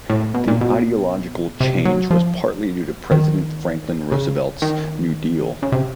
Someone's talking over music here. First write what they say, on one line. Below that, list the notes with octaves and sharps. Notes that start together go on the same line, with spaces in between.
This ideological change was partly due to President Franklin Roosevelt's New Deal.
A2
B2
A#2
B2
C3
F#3
F3
D#3
C#3
D#3
C#3
C3